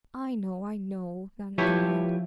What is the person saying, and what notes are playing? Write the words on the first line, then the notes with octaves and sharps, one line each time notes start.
"I know, I know," nodded the man.
F3 E4 G4 B4 C#5